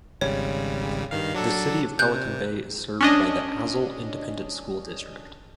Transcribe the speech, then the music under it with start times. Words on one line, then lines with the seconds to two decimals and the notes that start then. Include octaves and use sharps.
The City of Pelican Bay is served by the Azle Independent School District.
0.21 G#1 C#3 G3 C#5
1.11 G2 D#3 F5
1.34 F#3 D4 A4
1.99 C3 F#6 G6
3.01 C#4 D4 D#5